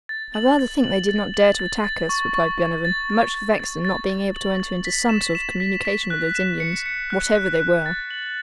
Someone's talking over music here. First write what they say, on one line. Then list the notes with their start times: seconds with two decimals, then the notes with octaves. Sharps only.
"I rather think they did not dare to attack us," replied Glenarvan, much vexed at not being able to enter into some sort of communication with those Indians, whatever they were.
0.09 A6
0.34 F#7
0.59 A6
0.84 F#7
1.09 A6
1.34 F#7
1.59 A6
1.84 A6
2.09 C#6
2.34 C#6
2.59 C#6
2.85 A6
3.10 A6
3.34 A6
3.60 A6
3.85 A6
4.10 A6
4.35 F#7
4.60 A6
4.85 B6
5.09 E7
5.35 E7
5.60 B6
5.85 B6
6.10 F#6
6.35 E7
6.60 C#7
6.86 C#7
7.10 F#6
7.35 F#6
7.60 F#6
7.86 A6
8.11 F#7